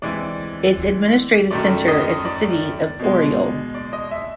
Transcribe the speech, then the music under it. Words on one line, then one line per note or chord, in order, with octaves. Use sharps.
Its administrative center is the city of Oryol.
C3 E3 G#3 D5
F#2 D#3 F#3 A3 D5
D#5
D5
B2 G#3
D5
D#5
E5